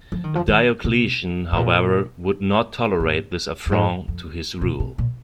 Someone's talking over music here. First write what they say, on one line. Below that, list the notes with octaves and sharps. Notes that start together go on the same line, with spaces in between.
Diocletian, however, would not tolerate this affront to his rule.
F3
D#3
F3
D#3
C3
G#2
A#2
G#2
F2
G#2
F2
A#2
C3
A#2